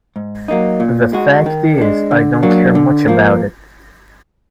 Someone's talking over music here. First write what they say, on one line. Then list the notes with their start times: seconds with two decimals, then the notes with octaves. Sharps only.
The fact is, I don't care much about it.
0.16 G#2
0.48 F#3 A#3 D#4
0.80 A#2
1.13 G#3 D#4 F#4
1.46 D#3
1.78 G#3 D4
2.11 D3
2.43 F#3 A#3 D4
2.75 D3
3.08 F3 A#3